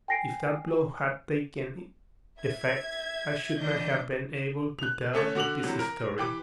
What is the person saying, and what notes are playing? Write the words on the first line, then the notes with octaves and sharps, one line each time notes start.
If that blow had taken effect I should not have been able to tell this story.
G5 G#5 A#6 C7 D7
E5 G#6
E3 D4 D#5 G6
F#6 F7
A3 C#4 A4 C#5
D3 F#4 D6 F7 F#7
C3 E3 F#3
A#4
E3 G4 D6